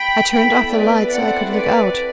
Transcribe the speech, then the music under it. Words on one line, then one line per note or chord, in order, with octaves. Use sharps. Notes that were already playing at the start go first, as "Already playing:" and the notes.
I turned off the light so I could look out.
Already playing: G5 B5
B3 E4 A4 G5 B5
B4 D5
C4 E4 A4 D5 F#5
B4 D5